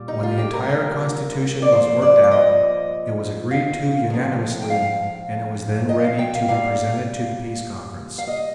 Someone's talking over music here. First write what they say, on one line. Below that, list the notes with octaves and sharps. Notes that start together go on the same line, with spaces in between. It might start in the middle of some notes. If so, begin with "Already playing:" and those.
When the entire constitution was worked out it was agreed to unanimously and it was then ready to be presented to the Peace Conference.
Already playing: A#2 G3
D#4
F4
G4
A#4
D5
A#2 F3 C5
D5
D5
D#5
F5
A2 F3
G5
F5
D#5
F5
G5
F5
A#2 G3 F5
F5
D#5